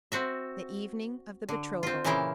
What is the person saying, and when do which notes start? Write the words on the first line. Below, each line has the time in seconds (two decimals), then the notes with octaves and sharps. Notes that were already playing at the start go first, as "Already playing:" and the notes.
The Evening of the Betrothal.
0.12 C4 F#4 E5
1.49 D3
1.83 C4 F4
2.04 A#2 C#3 E3 E4 F5 G5